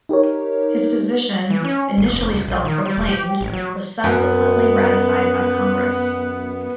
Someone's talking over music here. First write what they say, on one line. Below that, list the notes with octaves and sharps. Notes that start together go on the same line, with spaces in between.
His position, initially self-proclaimed, was subsequently ratified by Congress.
D#4 G4 A#4 C#5
E3
C#4
G#1
F1
C#2
A#1
D#3
G3
E1
G4
A1
F#3
F#2 B3